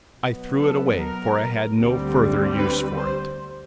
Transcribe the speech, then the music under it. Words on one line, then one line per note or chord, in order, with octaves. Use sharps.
"I threw it away, for I had no further use for it."
B2 F#3 B3
A4
A#4
D2 D3 G3 C4
B4
C5